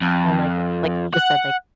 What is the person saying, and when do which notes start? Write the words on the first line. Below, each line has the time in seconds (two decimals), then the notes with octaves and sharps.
and like like you just said, like,
0.01 F2
1.14 F#5